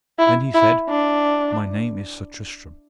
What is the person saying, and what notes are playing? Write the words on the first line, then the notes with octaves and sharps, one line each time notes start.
Then he said: My name is Sir Tristram.
E4
E4
D4